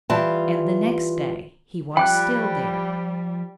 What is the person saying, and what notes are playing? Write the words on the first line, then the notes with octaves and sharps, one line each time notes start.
And the next day he was still there.
E3 G3 F4 A5
F3 G3 G5 B5 D6 F#6